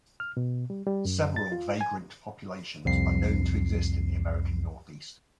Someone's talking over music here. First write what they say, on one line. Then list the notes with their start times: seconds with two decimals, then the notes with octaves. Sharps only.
Several vagrant populations are known to exist in the American Northeast.
0.20 F6
0.37 B2
0.70 G3
0.87 G3
1.05 F#2
1.36 A6
1.52 F4
1.81 G#5
2.85 C2 F2 C7